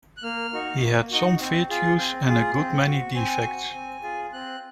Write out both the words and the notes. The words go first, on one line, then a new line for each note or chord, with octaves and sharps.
He had some virtues and a good many defects.
F#6
A#3 F6
D#4 F#4
A#3
D#4 F#4
C4
F4 G#4
C4
F4 G#4
C4
F#4
C4 G#5
F#4
C4
F4 G#4
C4 F#6